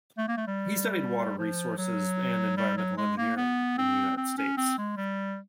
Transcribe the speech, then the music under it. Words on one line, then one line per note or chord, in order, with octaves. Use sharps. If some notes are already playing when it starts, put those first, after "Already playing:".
He studied Water Resources and Environmental Engineering in the United States.
A3
A#3
A3
G3
F3
F#3
G3
F#3
G#3
A#3
B3
C4
C4
C#4
C4
G#3
G3